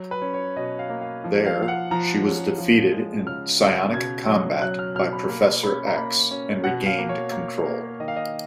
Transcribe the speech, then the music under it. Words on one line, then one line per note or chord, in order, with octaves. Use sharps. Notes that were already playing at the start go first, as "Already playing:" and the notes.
There, she was defeated in psionic combat by Professor X, and regained control.
Already playing: F#3
B4
C#4
C#5
B2 D#5
F5
A#3
F5
F3
F5
F3
F5
F#5
F3 A#5
C#4
F3
G#3
C#3 F6
C#3
B2 G#6
F#3
F#3 F#6
F6
B2 F6
B5
A#3 B5
C#4 B5
A#5
A#3 B5
C#4
B2 F#5
F5
A#3
C#5
A#3
A#3
D#3 D#5
F5
D#5